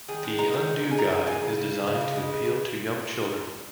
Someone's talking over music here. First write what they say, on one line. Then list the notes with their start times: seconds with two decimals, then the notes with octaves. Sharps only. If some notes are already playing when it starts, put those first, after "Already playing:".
The Undo Guy is designed to appeal to young children.
0.08 D#3 G#4
0.24 G#3
0.38 G#3 A#5
0.54 D#3
0.68 G#3
0.83 G#3
0.91 G#5
0.97 D#3 A#5
1.12 G#3
1.27 G#3 G#5
1.42 C#3
1.57 C#3
1.72 C#3
1.87 C#3 F5
2.01 C#3
2.16 G#3
2.32 C#3
2.45 C#3